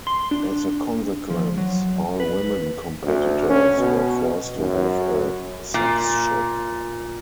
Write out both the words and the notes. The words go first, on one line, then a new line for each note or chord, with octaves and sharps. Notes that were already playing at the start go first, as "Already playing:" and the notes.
As a consequence, all women competitors were forced to have a sex check.
C6
D4
F3
F#3
B4
D2
C#4
B2
F#2
A#2